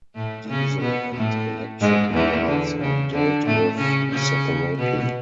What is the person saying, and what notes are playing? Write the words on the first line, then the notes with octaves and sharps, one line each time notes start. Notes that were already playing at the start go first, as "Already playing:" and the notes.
Diesel and electric units are dealt with separately.
A2 A3
C#3 C#4
B2 B3
A2 A3
G#2 G#3
E2 E3
D3
C#3
D3
A2 A3
C#3 C#4
C#3 C#4
B2 B3